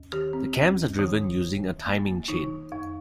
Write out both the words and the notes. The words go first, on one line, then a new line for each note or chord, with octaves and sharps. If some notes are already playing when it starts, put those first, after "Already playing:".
The cams are driven using a timing chain.
Already playing: D#2
D#3 G4
C4
D#2
D#3
D#3
A#3
D#3 D#4
F2 D#4